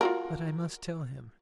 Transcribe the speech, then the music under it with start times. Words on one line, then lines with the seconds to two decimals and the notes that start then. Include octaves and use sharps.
"But I must tell him."
0.01 F4 F#4 A#4